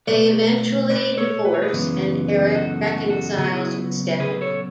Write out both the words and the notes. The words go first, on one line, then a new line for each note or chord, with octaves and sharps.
They eventually divorce and Eric reconciles with Stephanie.
B2 A3 B4 D5
B4 D5
A4 C#5
B4
C#5
G#4 B4
F#2 C#3 E3 G#3 B3
F#4 A4
F#4 A4
F#4 A4
C#3 F#3 B3 G#4
F#4
E4 G#4
G#4 B4
A4 C#5